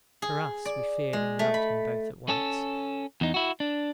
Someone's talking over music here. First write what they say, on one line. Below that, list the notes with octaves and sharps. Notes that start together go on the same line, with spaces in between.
For us, we feared and loved him both at once.
G#4
D5
G#3
A3
B5
C#4 A4
E2 D#4
E4 F#4
D4